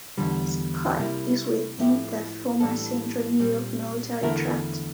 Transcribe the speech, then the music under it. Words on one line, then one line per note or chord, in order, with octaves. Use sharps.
Scott is within the former Central New York Military Tract.
E2 D3 G3
C3 G3 A#3 E4
A2 F3 A3 E4 G4
A2 E3 G3 D4 A4
A#2 G3 C4
E2 D3 A3 E4 A#4